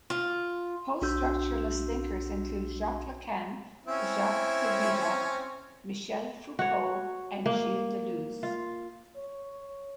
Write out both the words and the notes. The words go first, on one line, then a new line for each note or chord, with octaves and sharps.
Post-structuralist thinkers include Jacques Lacan, Jacques Derrida, Michel Foucault and Gilles Deleuze.
F4
B1 D4 F#4 C6 E6 G6
C4 C#4 E4
F#4 C#5
A#3
F4
C#5